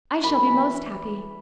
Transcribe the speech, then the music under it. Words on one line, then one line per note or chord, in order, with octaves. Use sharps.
"I shall be most happy."
F#2 B5
E3